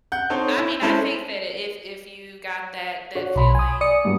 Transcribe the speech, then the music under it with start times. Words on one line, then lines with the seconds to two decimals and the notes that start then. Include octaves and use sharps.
I mean, I think that if if you got that that feeling,
0.12 F#5 G6
0.30 C4 D#4 A4 C5 C#5
0.57 E4
0.82 G#3 C#4 E4 A4 C5 E5
3.15 F#4 C#5
3.36 B1 B5 C6
3.55 G#5 D#6
3.81 D5 G#5 D#6 C#7
4.05 G2 F#3